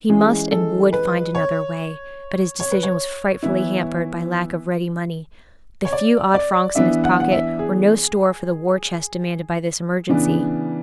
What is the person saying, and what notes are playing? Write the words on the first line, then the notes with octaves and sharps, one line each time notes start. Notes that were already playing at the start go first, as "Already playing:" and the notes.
He must and would find another way; but his decision was frightfully hampered by lack of ready money; the few odd francs in his pocket were no store for the war-chest demanded by this emergency.
E3 G#3 C#4 G#4
A4
B4
C#5
C#5
B4
C#5
E3 B3 E4
C#5
D5
D5
E3 B3 D4 E5
F#5
F#5
E5
G#4
C#3 E3 B3 D4